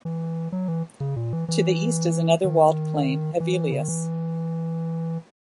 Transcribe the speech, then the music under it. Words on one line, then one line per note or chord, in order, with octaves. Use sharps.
To the east is another walled plain, Hevelius.
E3
F#3
E3
C#3
A#2
E3
E3
D#3
E3
C#3
D#3
E3